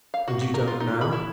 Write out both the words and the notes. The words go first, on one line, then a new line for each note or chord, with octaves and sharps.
"And you don't now?"
F5
F#4
F#4
A#4
F4
D#4
B5
E4